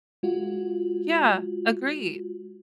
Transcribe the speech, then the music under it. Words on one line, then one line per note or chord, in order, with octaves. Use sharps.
Yeah, agreed.
G#3 F4 F#4